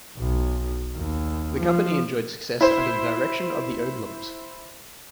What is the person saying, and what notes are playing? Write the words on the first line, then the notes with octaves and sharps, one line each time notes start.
The company enjoyed success under the direction of the Odlums.
B1
D#2
F3
E4 C5